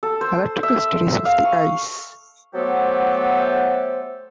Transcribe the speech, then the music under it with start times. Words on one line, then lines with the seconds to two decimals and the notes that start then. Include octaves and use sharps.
Electrical studies of the eyes.
0.03 A4
0.21 C5
0.63 E5
1.25 F5
1.45 C#6
2.54 F#3 A3 B3 G4 A4 C5